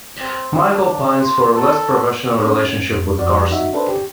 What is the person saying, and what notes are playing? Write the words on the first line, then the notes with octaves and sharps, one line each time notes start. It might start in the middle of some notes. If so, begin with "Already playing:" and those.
Michael pines for a less-professional relationship with Carson.
C4
D4
C6
A4
C#4
F2
F2 F#4 D5
D#4 F#4 E5
D4 A4 B4 C5
G4